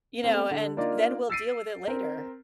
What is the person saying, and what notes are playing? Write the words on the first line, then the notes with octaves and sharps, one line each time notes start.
you know, and then we'll deal with it later.
A3 B3 C4
D3
A#3 D4 D#4 F4 A#4 D5
E6 A6 B6 C7 D7 D#7
C4 A#4